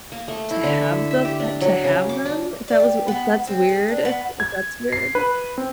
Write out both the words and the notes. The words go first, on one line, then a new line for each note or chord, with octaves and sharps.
to have them uh, to have them? That was that's weird if if that's weird?
A#3
A3
E4
D3
E5
E5
G4
D4
F#3
C#3
D6
D4
D5
G4
B3
C4
G#4
D4
B3
G#6
C7
B4
C4